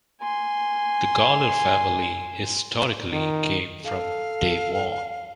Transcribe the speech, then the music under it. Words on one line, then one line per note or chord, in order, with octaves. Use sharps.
The Gawler family historically came from Devon.
G#5 C6
D#3
A4 F5